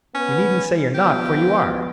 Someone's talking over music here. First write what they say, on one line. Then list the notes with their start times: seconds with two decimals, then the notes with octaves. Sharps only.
You needn't say you're not, for you are!
0.15 B3 C#4 B4
0.94 F3 B3 G4